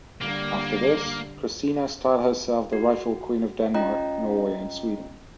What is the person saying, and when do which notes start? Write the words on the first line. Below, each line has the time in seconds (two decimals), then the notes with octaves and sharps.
After this, Christina styled herself the rightful Queen of Denmark, Norway and Sweden.
0.21 D3 G3 A#3
2.73 F#4
3.74 C#4 F4 D#5 G5 A#5